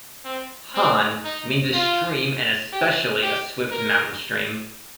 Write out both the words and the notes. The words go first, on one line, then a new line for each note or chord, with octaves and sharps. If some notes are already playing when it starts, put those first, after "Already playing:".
"Hanne" means a stream and especially a swift mountain stream.
C4
C4
D#4
F4
G4
G4
A#4